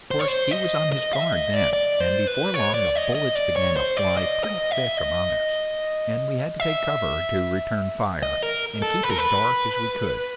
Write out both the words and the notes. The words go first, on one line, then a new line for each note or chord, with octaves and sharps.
Of course he was on his guard then, and before long the bullets began to fly pretty thick among us, and we had to take cover to return fire and keep as dark as we could.
C5
C#5
C5
D#5
D#5
E5
D#5
D5
D5
C5
B4
C#5
D5
D#5
D#5
D5
C#5
C5
D5
D#5
D#5
E5
D#5
E5
D#5
A#4
A4
B4
A#4
B4